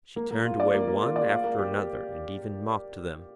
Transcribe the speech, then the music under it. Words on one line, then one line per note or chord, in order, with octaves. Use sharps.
She turned away one after another, and even mocked them.
A#3
A#3
F4
D5
A#3
A#3
F4
D5
F5
A#3
G4